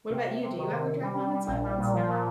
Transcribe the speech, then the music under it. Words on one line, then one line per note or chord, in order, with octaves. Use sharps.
What about you? Do you ever drive home in silence?
C3
C3
C3
D#3
C3
C3
G3
G3
G3
A#1
G3
A#2
F3
A#2